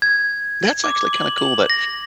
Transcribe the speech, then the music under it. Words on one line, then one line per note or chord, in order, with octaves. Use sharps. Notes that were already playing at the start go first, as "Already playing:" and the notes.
That's actually kinda cool that
G#6
D6
F#7
F#7
A#6